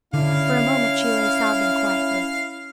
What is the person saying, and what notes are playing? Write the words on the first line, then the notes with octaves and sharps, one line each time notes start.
For a moment she lay sobbing quietly.
D3 C#4 E4 F5